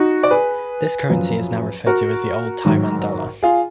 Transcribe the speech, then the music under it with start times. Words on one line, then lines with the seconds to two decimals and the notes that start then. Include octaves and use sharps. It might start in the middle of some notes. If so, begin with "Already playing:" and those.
This currency is now referred to as the old Taiwan dollar.
Already playing: D#4 F#4
0.23 D5
0.30 G#4 B4
1.09 F#2 F3
1.86 F#4 A#4
2.65 G#2 D#3 F#3
3.43 F4 G#4